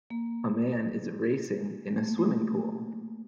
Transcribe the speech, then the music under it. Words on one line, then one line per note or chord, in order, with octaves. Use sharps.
A man is racing in a swimming pool.
A#3
A3
A#3
A3